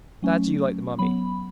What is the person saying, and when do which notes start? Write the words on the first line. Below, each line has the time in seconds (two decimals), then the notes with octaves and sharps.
Glad you like the mummy.
0.22 F#3 A3 C#4
0.99 F#3 B3 B5